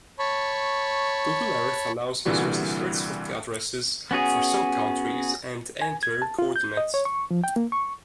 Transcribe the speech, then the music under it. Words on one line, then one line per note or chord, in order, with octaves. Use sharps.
Google Earth allows users to search for addresses for some countries, and enter coordinates.
C#5 A5 B5 C#6
C2 A#2 D3 E3 G3 F#4
B3 C#4 F#4 G#4
G#5
G#6
A5
F4
G6
D#5
C#5
C#6
F3
G5
A#3
C#6